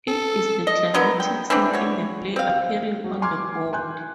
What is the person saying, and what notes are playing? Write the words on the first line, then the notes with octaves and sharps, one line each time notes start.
It is the climactic scene in the play appearing on the board.
A4
D#5
D3 F#3 B3 A#4
G5
E3 C4 D4
F#4 C#5
C4 F5
F#3
G#5 C6 D6 F6 G#6
G#5 C6 F#6 G6